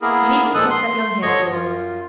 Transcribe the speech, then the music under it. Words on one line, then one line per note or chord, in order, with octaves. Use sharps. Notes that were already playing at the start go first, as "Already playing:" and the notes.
You needn't toss that young head of yours.
A#3 B3 E4 G#4 A#4
A#2 F3 G#3 A4 D#6 F#6
C6
G2 D3 C#5 D#5 C#6
F#2 F4